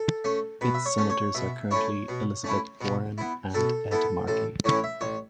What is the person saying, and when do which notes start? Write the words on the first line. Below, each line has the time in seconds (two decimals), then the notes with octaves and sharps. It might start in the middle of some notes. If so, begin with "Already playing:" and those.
Its senators are currently Elizabeth Warren and Ed Markey.
Already playing: A4
0.24 A3 C#4
0.61 B2 B4
0.74 E5
0.86 C#5
0.98 A3 C#4
1.10 C#5
1.35 B2 E5
1.71 A3 C#4 E4 C#5
2.08 B2
2.44 A3 C#4 E4
2.81 B2
3.18 B3 E4
3.54 B2 A4
3.91 B3 E4 A4
4.27 A1 A4
4.64 A2 E3 C#4 E4 C#5
4.84 E5
5.01 A1 C#5